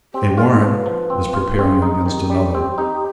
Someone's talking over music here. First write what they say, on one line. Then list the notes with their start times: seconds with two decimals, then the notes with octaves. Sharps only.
A warrant was preparing against another.
0.14 C4 G4
0.38 F4 B4
0.42 G#4
0.62 D3 B4 C#5
0.86 F3
1.10 C4
1.34 F4
1.58 C4 G#4
1.82 D#4
1.95 G4
2.06 D#3
2.30 G3
2.54 C4
2.78 D#4